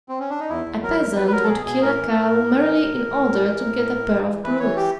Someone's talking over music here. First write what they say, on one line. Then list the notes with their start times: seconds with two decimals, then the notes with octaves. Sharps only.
A peasant would kill a cow merely in order to get a pair of brogues.
0.09 C4
0.20 C#4
0.30 D4
0.40 D#4
0.50 E2 E4
0.66 E2
0.83 F#3 A#4
0.99 E2
1.16 F#3 B4
1.27 B4
1.32 F#3 A#4
1.44 A4
1.48 B2 G#4
1.65 B2 G#4
1.82 A2 A#4
1.97 E3
2.14 A2
2.31 A2
2.48 A2
2.63 E3
2.80 A2
2.96 A2
3.13 A2
3.29 A2
3.45 E3
3.63 A2
3.78 A2
3.95 A2
4.11 A2
4.28 E3
4.44 E3 B4
4.60 E3 C#5
4.76 G4